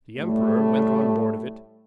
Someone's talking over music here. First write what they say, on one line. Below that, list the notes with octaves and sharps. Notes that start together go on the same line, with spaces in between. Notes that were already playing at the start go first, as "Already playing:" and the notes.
The emperor went on board of it.
A2 G3 A3